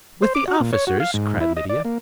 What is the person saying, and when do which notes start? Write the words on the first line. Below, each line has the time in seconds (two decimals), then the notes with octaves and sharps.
"With the officers!" cried Lydia.
0.22 C5
0.35 D6
0.48 F#4
0.60 A#2
0.73 C#5
0.87 F#4
1.00 F5
1.14 G#2
1.40 E4
1.57 D#5
1.69 D5
1.85 A#3